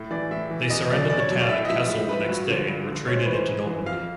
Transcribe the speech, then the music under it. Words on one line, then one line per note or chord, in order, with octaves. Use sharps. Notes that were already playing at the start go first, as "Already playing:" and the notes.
They surrendered the town and castle the next day and retreated into Normandy.
Already playing: A2
E3 D5
A2 E5
E3
E2 D#5
B2 F#3 D5
E2 D5
C#5
B2 F#3
D5
A2 E5
D#5
F3 E5
A2 E5
F3 B4
G2 F#4
D3 F3
G2
D3 F3
G#2 C#5
C5
E3 B4
C5
G#2
E3
F2 F5